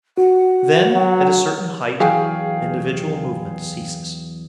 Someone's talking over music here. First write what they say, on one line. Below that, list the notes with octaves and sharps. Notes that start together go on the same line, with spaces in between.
Then, at a certain height, individual movement ceases.
F#4 F#5
F#3
E2 E3 F#3 G#4 F5 G5